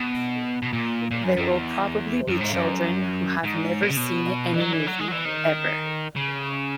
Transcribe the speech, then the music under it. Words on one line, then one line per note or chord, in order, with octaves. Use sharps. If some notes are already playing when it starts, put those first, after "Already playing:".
They will probably be children who have never seen any movie, ever.
Already playing: B2
B2
A#2
A#2
F#2
F#2
E2
F#2
G#2
F#2
G#2
B2
C#3
B2
E3
F#3
E3
F#3
G#3
F#3
E3
D#3
C#3